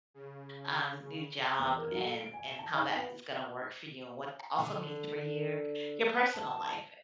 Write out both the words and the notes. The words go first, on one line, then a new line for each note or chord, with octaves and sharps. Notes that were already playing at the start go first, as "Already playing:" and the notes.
um, new job and and how that is going to work for you, what also means for your your personal life
C#3
E2
A#4
F#3
A4
D7
G#5
E7
A5
D#4
B3
D3
A5